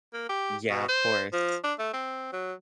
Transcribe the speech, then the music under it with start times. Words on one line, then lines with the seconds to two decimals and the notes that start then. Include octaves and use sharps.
Yeah. Of course.
0.14 A#3
0.29 G4
0.70 B2
0.89 C5
1.33 F3
1.64 D4
1.79 A3
1.94 C4
2.33 F#3